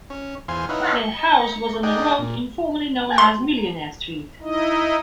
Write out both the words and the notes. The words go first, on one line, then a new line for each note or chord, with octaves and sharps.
Their house was on a road informally known as "Millionaire Street".
C#4
E2 C5 F5 G#5 C6
D#4 E4 B4 C#5 F5 F#5
C#6
D#4 G#4 D5 D#5 F#5 G5
A#2
C6
D#4 E4 D#5